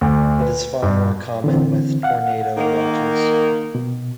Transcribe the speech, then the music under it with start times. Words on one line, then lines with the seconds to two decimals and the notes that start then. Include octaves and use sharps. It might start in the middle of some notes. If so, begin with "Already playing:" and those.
It is far more common with Tornado Watches.
0.01 D2
0.41 B4
0.82 G2
1.44 D3 E3 C4
2.03 F5 F#5
2.57 D#3 A#3
3.75 B2